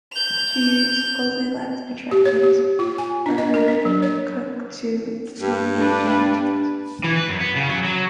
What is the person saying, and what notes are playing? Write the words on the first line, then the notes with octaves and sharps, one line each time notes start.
She supposedly left instructions for her cook to make a jam tart.
G6 F7
G4
C#5
G4
F4
G#5
D4
D#5
A#4
D4
F#3
C#5
G2
D4 B4
E3
B4
F#2
B3
C#3
F#3
F#3